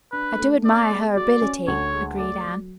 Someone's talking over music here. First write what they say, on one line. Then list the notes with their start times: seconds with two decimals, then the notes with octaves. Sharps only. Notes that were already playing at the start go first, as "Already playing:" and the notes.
"I do admire her ability," agreed Anne.
0.12 D4 B4
0.38 A3
0.64 B3 D5
0.90 G#3
1.16 F#4 D5
1.41 C#4
1.68 D2 C#5
1.93 G#3
2.19 A3 D5
2.45 F#3